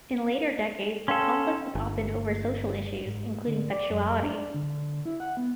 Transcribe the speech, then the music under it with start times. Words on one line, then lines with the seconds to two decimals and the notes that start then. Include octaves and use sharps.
In later decades the conflict was often over social issues, including sexuality.
1.08 C#4 A4 F5 G5 C6
1.75 G1
3.05 G#2
3.47 D3
3.72 D5
3.90 F#2
4.23 D4
4.54 D3
5.05 E4
5.20 F#5
5.37 B3